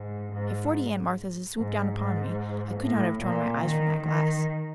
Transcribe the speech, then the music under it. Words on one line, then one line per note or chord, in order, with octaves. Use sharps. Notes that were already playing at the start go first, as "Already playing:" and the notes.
If forty Aunt Marthas had swooped down upon me, I could not have torn my eyes from that glass.
Already playing: G#2
G#2
G#2
G#2
A2
A#2
D#3
D#3